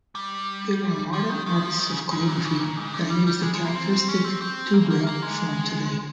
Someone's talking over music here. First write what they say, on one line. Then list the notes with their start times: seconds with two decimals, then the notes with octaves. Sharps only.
There are modern artists of calligraphy that use the characteristic tughra form today.
0.15 G3
1.13 F3
1.30 D#3
1.46 D#3
1.62 F3
1.79 D#3
1.89 C#3
2.12 G#2
2.28 A#2
2.44 C#3
2.61 A#2
2.77 G#2
2.94 A#2
3.10 G3
3.27 G3
3.42 G#3
3.54 G#3
3.65 A#3
3.76 C4
4.09 C#4
4.24 C4
4.42 C4
4.73 A#3
4.90 A#3
5.07 A#3
5.22 G#3